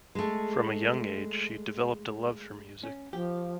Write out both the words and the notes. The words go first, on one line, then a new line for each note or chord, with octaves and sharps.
From a young age, she developed a love for music.
G#3 A3
C#4
F3 G4